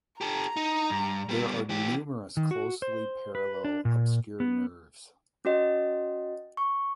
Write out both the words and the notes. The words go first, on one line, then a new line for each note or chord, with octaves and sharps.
There are numerous closely parallel obscure nerves.
G4 A4 A#5
D#4
G2
G3 B3
E3 G4
D#3
F#4
C5
B4
D4
A#2
B3
C#4 F#4 D#5
C#6